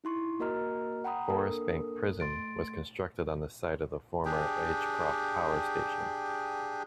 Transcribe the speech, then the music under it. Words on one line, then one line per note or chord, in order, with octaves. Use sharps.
Forest Bank Prison was constructed on the site of the former Agecroft Power Station.
D#4 E4 C6 C#6
A#3 F#4 A#4 D#5 A#5 F6
F#5 G5 A#5 B5 D#6
A#3 D4 A4 A#4 D#6
A3 C6 A6 D7
D4 G4 G#4 G5